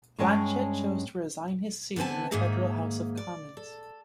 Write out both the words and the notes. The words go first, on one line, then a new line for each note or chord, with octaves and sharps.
Blanchet chose to resign his seat in the federal House of Commons.
G2 G#3 C#4 C#5 G5 A5
D3 B3 C4 G#5 A5
G#2 D#3 A#3 D#4 G#4 E5
D5
A4